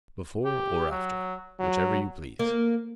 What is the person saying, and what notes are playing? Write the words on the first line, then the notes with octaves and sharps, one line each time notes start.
"Before or after, whichever you please."
G4
F#3
F#3
A#3